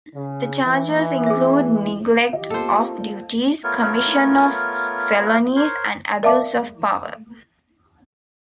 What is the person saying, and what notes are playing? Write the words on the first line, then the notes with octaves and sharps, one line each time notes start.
The charges include neglect of duties, commission of felonies and abuse of power.
C#3
E3
G#4 B4 E5
G4 D#5 F5
A#3 F4 A4 C5
A3 B3 F4 A#4 C#5
A#4 C5 C#5
A#4 D5 E5 F5 A5 D6